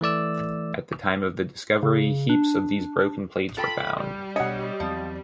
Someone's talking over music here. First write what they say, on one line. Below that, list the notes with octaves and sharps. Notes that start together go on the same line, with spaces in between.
At the time of the discovery, heaps of these broken plates were found.
E3 A3 D5 E6
C#3
D4
F4 A4 G5 B5
G3
B2 D4 C#5 D#5 F#5
E2 F3 F#3 C4